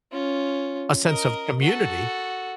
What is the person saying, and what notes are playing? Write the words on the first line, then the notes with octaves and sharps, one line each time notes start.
a sense of community,
C#4 F4
A#4 D#5
F#4 A4